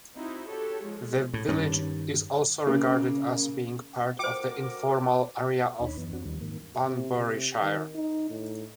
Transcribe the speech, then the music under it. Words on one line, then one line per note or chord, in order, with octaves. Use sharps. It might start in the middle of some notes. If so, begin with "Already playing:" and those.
The village is also regarded as being part of the informal area of Banburyshire.
C4 D#4 E4 F#4
F#4 G4 A4 C#5
F3 G#3 F4
A2
G2 D#3 C#4
C#3 A#3
D2 F#4 A#4 C5 G5 D6
D#2 D4 D#4 C#5 B5
F#2 E3 B3
F2 C4 D4 F#4
D#2 D#3 F3 G3
G#2 D#3 A#3
C3
C3
D#3
D#4
A2